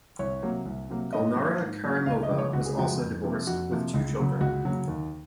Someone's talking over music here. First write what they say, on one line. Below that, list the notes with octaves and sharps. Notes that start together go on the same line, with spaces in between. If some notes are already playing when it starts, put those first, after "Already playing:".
Gulnara Karimova was also divorced with two children.
C2 C#5
C3 F#3 A#3
C2
C3 F#3 A#3
G#2 D#5
F#3 A#3
G#2
F#3 A#3
C#2 F5
D#5
C#3 F3 G#3
C#5
C#2 F#4
G#4
C#3 F3 G#3 F#4
F2
C3 F3 A#3
F2 F#4
C3 F3 A#3
C#2
C#3 F#3 A#3
C#2 F#4
C#3 F#3 A#3
D#2